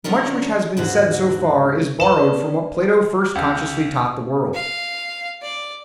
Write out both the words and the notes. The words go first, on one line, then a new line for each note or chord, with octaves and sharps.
Much which has been said so far is borrowed from what Plato first consciously taught the world.
D3 F3 C#4 D4 A#4
D#2 G#2 D3 F#4
B4 D5 A5 E7
C#2
F5
D5